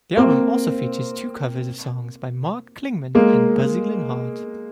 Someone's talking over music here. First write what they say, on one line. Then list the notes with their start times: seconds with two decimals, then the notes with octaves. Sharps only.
The album also features two covers of songs by Mark Klingman and Buzzy Linhart.
0.17 A#3 C4
3.15 G#3 A#3